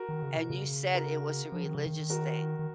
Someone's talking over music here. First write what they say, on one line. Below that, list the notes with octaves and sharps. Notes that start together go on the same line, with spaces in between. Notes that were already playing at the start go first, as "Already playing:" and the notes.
and you said it was a religious thing
Already playing: F#4 A#4
D#3
C#3
B2
C#3
F#4 A#4
F3
D#3
C#3
D#3
F#4 A#4
D#3